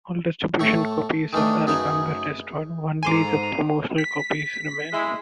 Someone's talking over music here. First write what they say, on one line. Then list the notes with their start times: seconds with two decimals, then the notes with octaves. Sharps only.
All distribution copies of the album were destroyed, and only the promotional copies remain.
0.60 A2 A3 C#6
1.33 D#3 E3 A3 D4
1.67 F#2 C#3 D#4 B4 G#5
3.03 G#2 A4 G#5 A#5 C6 D6 C7 D#7
3.98 B6
4.92 G#3 E4